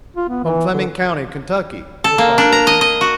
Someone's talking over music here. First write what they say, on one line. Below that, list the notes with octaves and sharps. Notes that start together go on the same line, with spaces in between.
"From Fleming County, Kentucky," replied Wilson.
F4
B3
E3
D3
A4
A#3
D4
A#5
D#5
D#5
F#4